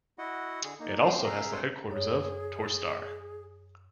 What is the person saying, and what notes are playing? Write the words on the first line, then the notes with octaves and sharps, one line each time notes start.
It also has the headquarters of Torstar.
E4 F#4 D#5 F#5
D3 G#4
A#3 D#4
E2 C3 C#4 G5 C6
C#3 G#4 A#4 E5 F5 A#5
G2 C3 G#3 A4 C5 C#5
F#2 G#4 C#5